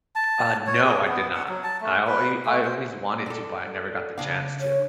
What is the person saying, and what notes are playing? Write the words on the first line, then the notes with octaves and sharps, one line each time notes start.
Uh, no, I did not, I al I always wanted to, but I never got the chance to.
A5
C#5
G#4
B3
F#5
F#3
A5
A3
B4
A3
C5
D4 A4
C#3 D4 F5
C#5